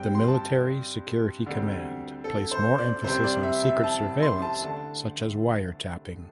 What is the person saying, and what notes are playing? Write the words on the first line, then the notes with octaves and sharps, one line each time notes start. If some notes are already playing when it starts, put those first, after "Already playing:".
The Military Security Command place more emphasis on secret surveillance such as wiretapping.
Already playing: G2 G3 C4 G5
C6
A5
D2 D3 G3 C4
A4
C5
D5
C2 C3 G3 C4 C5
D5
E5
E5
A5
C6
A5
D3 A3 A5